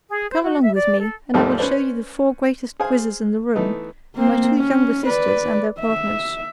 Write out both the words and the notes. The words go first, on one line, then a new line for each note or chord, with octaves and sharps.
Come along with me, and I will show you the four greatest quizzers in the room; my two younger sisters and their partners.
G#4
C5
F#4
E5
D5
A4
D#2 G#2 F3 G3 A3 A#3
C#4 B4 C5 D5
G#4 C5 F5 G#5
E3 A3 B3 D#4
A#3 C4
C#4
B4 D5
E5